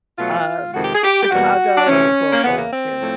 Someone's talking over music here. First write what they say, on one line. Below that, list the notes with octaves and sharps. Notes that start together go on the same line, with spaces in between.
Um, Chicago was a cool place too.
B2 F#3 A3 F4
F2 C3 D#3 G#3 F#4
G4
G#4
G4
G4
E2 B2 G3 A#3 F#4
D4
D2 C3 E3 C#4
A#3
E2 C#3 E3 B3
A#3
C4
A2 F3 A3